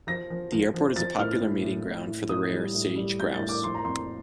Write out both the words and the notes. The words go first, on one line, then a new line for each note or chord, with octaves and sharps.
The airport is a popular mating ground for the rare Sage Grouse.
F3 A#6
F3
F3
F3
F3 A6
A2 F6
A2
A2
A2
A2
A2 D#6
G3
A2
G3
A2 G6
A6
A2
D6
F3 C6
A#5
F2 C6